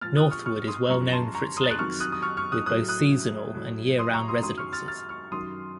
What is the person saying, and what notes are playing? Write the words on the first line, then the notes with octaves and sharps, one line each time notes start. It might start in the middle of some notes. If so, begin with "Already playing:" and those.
Northwood is well known for its lakes, with both seasonal and year-round residences.
A#2 F3 F6 A6
D#6 F#6
C#6 F6
C#6 F6
C6 D#6
F#2 F3 A#5 C#6
A5 C6
A#5 C#6
C6 D#6
A6
F#6
F2 D#3 F#3 C#6 F6
D#6 F#6
D#6
C#6 F6
C#6 F6
D#6 F#6
A2 F#3 D#6 F#6
D#6 F#6
A2 F#3
C6 D#6
A#5 C#6
C6 D#6
F#2 D#3 F#3 C6 D#6
C#6 F6
F6 A6
F6 A6
C#6 F6
F#2 D#3 F#3 C6 D#6